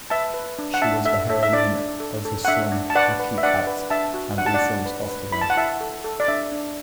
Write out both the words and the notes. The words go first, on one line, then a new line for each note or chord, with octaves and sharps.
She was the heroine of his film "Haqeeqat" and all films after that.
B4 E5 A5
B4
D4
F#5
D4 E5 A5
A4 E5
A4 E5
E5
D4 D5
D4
A4
A4
F#5
D4 E5
D4
A5
B4 D5 F#5
B4
E5
D4 D5 F#5
B4
D4 E5 A5
F#4
D4 F#5
A5
D5 F#5
D4
B4
B4
E4 B5
A5
F#5
E4 E5 A5
A4
A4
D5
D4 E5
D4